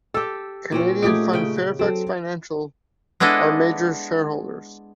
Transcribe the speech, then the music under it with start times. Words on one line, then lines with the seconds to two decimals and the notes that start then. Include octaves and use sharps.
Canadian fund Fairfax Financial are major shareholders.
0.14 G4 A4 E6
0.72 A#2 C4 C#4
1.03 A3 D#4 F4 G4 G#4 D7
1.33 C#3 G5
1.79 F#3 C4 A4
3.20 G#3 B3 D4 E4 A4 D#5